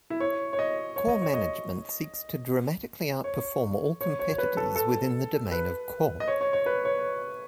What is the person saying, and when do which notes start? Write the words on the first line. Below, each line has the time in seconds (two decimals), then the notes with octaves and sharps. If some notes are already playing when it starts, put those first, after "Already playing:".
Core management seeks to dramatically outperform all competitors within the domain of core.
0.10 E4
0.20 C#5
0.53 C#5
0.59 D#5
0.96 C#5
1.08 D#5
1.22 C#5
1.34 D#5
3.24 C#5
4.01 C#5
4.19 C#5
4.33 C#5
4.38 B4
4.57 A4
4.76 A4
5.52 B4
6.20 D#5
6.28 C#5
6.41 C#5
6.53 C#5
6.66 B4
6.85 C#5